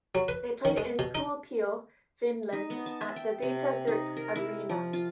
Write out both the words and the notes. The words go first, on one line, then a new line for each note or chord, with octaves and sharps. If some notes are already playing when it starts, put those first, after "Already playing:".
They play in Kuopio, Finland at the Data Group Areena.
F#3
B4
D#3
G#3
B2
D#4
D#4
B3
A5
E5
G5
C3
D#4
A#4
E4
F3
F4